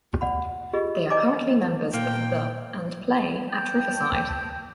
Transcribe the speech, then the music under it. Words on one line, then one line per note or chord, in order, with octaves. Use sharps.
They are currently members of the and play at Riverside.
D5 F#5 B5
F4 G4 G#4 A#4 D#5
D5 D#5 G#5 A#5 D6
A#2 A#3 G5
G5 A5 G6